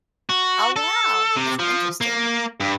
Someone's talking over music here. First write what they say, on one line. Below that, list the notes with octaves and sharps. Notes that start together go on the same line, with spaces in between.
Oh, wow! That's interesting.
F#4
A4
C3
F3
A#3
G2